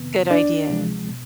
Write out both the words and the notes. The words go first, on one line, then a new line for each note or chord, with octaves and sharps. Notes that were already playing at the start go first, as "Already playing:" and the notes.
Good idea.
Already playing: F2 C3 D#3 B3
D2 D4
C3 F3 G#3
B2